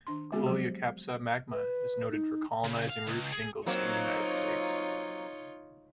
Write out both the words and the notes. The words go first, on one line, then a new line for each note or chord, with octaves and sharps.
"Gloeocapsa magma" is noted for colonising roof shingles in the United States.
D#3 D4 C6
G#3 B3 C4 F#4 G#4
F3 F#3 G4 G#4 C5
B4
D#4
C#3
F5
C#2
G#4
F#3 A#3 C4 D#4 F4 C#5